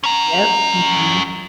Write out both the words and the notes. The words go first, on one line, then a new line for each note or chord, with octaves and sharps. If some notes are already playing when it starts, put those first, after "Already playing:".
Yep. Mhm.
C#4 A#5